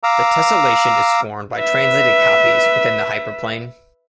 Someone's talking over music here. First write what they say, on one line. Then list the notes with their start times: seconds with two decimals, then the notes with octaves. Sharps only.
The tessellation is formed by translated copies within the hyperplane.
0.03 F5 A#5 D6 E6
1.57 B4 E5